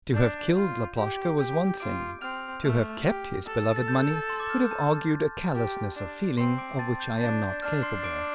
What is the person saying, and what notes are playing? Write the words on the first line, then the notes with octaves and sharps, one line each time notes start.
To have killed Laploshka was one thing; to have kept his beloved money would have argued a callousness of feeling of which I am not capable.
D4 G6
F4
G4
G4 G6
F4 D6 D7
C4 F6 F7
A3
G4
A4
A6
G6
C6
D6
F6
G6
A5 A6
G4
D4
C4 C6 C7
D6 D7
A5 A6
G6
D4 A5 A6
G6
D4 F6
C6 C7
D6 D7